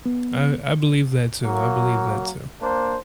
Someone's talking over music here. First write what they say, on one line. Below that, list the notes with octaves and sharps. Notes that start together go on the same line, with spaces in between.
I I believe that too. I believe that too.
B3
F#3 A#3
A#3 D4 C5